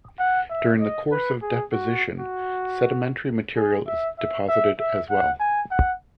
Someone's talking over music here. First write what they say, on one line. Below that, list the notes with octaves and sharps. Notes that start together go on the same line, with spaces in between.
During the course of deposition sedimentary material is deposited as well.
F#5
E5
D#5
B4
G#4
F#4
F#4
G#4
E5
E5
E5
E5
F#5
G#5
F#5